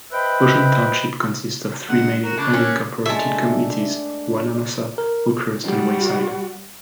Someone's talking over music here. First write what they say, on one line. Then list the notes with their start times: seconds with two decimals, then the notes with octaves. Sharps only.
Ocean Township consists of three main unincorporated communities: Wanamassa, Oakhurst and Wayside.
0.12 B4 C5 D#5 E5 G5 B5
1.89 A#2 D3 G#3 F#5
2.24 F#4 A#4
2.38 C#3 D4 A4
2.53 A#3 C#4
3.06 G#3 A3 D4 E5 A5
4.98 A#4
5.65 G3 F#4